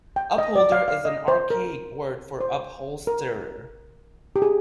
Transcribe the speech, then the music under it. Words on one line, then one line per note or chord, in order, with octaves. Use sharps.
"Upholder" is an archaic word for "upholsterer".
G5
D#5
D5
F5
F5
D#5
C5
A#4
C5
A#4
G4
G#4